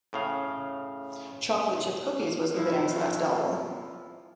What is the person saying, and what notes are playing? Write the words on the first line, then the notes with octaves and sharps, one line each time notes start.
"Chocolate Chip Cookies" was the band's last album.
A2 C#3 F5
F3 E4